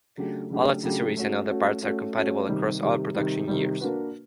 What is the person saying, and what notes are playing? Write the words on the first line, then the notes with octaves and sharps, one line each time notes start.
All accessories and other parts are compatible across all production years.
C#3 F#3 A3 D4 G4
C#3 F#3 A3 D4 G4
C#3 F#3 A3 D4 G4
A3 C#4 F#4
A3 C#4 F#4
A3 C#4 F#4
A3 C#4 F#4
C3 D#3 G3
C3 D#3 G3
C3 D#3 G3
C3 D#3 G3
A#3 D4 F#4 B4